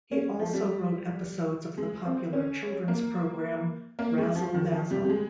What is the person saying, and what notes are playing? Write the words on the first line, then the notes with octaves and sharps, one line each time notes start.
He also wrote episodes of the popular children's program "Razzle Dazzle".
C#4
F3
G3
G#3
C4
C#4
A#3
A#3
G#3
F3
D#3
F3
G3
G3
G#3